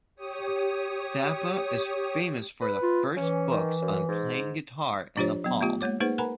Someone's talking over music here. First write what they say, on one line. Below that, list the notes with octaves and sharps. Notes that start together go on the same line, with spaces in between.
Thapa is famous for the first books on playing guitar in Nepal.
G4 C#5 D#6
B4
F4
E3 C#4
D#3
F#2
G#2
F3 D4 F4 G4 C5 C#5
F#3 B3
A3 B3 F4 G4
G#3 A#3 C#5 D6
A#3 D#4 G#4 B4 C5 F#5
A#4 B4 F#5 G#5 A#5 B5